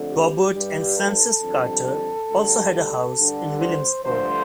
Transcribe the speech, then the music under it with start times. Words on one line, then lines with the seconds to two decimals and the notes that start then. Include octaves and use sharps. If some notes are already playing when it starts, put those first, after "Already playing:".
Robert and Frances Carter also had a house in Williamsburg.
Already playing: F2 D3 A3
0.10 G4
0.54 G2 G3
0.98 A4
1.42 F2 D3 G3
2.30 D2 D3 G3
2.74 A4
3.17 G2 D3 G3
3.61 C5
4.05 G2 D3 F3 A3 C5